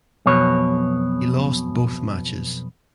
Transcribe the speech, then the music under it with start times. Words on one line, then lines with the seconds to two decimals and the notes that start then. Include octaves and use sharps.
He lost both matches.
0.26 B1 F2 B2 C#5